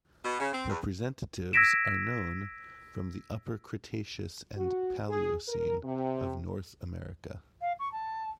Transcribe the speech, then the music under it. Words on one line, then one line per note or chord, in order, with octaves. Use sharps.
Representatives are known from the Upper Cretaceous and Paleocene of North America.
B2
C#3
C4
E2
E6 G#6 A#6 B6 D7 E7
F#4
G#4
A#4
C3
F5
C#6
A5